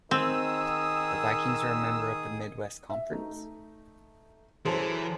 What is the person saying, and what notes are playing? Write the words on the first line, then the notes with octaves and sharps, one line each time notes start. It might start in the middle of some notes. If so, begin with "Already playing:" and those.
The Vikings are a member of the Midwest Conference.
D#3 C4 G#4 D#6 E6
E5
A3 D#4
F#2 E3 G#4 A4 C5 A5